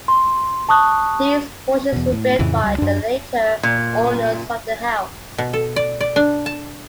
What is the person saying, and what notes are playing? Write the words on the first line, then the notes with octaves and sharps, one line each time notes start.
These portions were built by the later owners of the house.
C6
A5 C#6 D#6 F#6
E2 B2
A2
F2 A2 C#3 E3
C#2 G3
F#2 D4
A#2
B2
A4
D5
D5
D4
A5